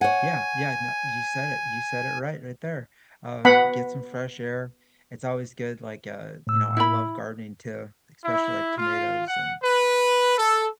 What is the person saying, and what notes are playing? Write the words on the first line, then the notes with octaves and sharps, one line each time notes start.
Yeah, yeah, no, you said it, you said it right, right there. Um, get some fresh air, it's always good, like, uh, you know, I love gardening too, especially, like, tomatoes and
C#5 F#5 G#5
B3 F#5 B5
A2 E6
E4 B5
E4
F4
F#5
B4
A4